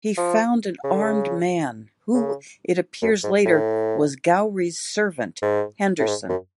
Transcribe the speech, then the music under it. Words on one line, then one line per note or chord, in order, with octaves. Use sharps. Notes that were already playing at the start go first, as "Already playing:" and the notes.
He found an armed man, who, it appears later, was Gowrie's servant, Henderson.
F3
C#3
D3
C#3
C#3
F#2
G#2
A2
G#2
A2
G#2
F#2